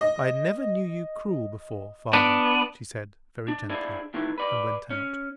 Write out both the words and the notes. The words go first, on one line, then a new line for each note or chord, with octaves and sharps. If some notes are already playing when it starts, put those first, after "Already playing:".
"I never knew you cruel before, father," she said, very gently, and went out.
D#5
B3 D4 D7
D4
D4 E4 G#4 C5 D5
A2 D#3 E3
B4 D5
C#4